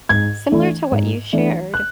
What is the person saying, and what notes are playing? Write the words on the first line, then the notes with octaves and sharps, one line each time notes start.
Similar to what you shared
G#2 G#6
E3 A3 D4
G#2
E3 A3 D4
F#6